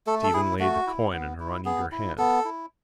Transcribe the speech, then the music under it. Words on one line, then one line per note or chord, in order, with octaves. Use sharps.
Stephen laid the coin in her uneager hand.
A3 A4
A4
E4 G#4
A3 F#4
E4
B3
E4
B3 G#4
E4
B3 A4
E4